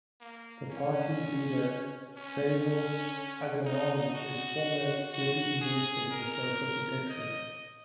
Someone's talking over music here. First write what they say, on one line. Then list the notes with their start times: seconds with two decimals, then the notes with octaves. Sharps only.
The party's leader Fazail Agamali is a former deputy minister for social protection.
0.20 A#3
0.69 C#4
2.17 C#4
3.65 D#4
4.14 F#4
5.13 F#4
5.61 G#4
6.11 A#4
7.09 D#5